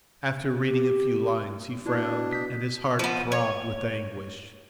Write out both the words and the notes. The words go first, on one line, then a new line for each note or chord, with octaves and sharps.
After reading a few lines he frowned and his heart throbbed with anguish.
G4
B2 D4 E4
D#6 G6 B6
F3 B3
C#5